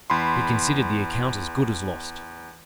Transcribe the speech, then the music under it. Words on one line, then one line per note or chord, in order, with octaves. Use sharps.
He considered the account as good as lost.
E2 B5 C6